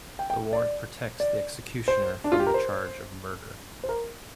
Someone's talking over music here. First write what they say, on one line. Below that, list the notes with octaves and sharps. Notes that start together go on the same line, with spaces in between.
The warrant protects the executioner from the charge of murder.
G5
G5
D5
D5
C5
D4
F4
G4
A#4
C5
C5
A#4